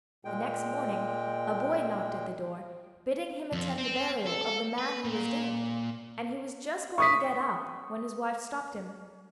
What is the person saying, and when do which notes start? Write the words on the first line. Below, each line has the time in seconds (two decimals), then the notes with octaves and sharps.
The next morning a boy knocked at the door, bidding him attend the burial of the man who was dead, and he was just going to get up when his wife stopped him.
0.25 A#2 G#3 G5
3.52 F2
3.78 C4
4.26 A4
4.78 B4
5.05 A#2
6.98 C#6 D#6 B6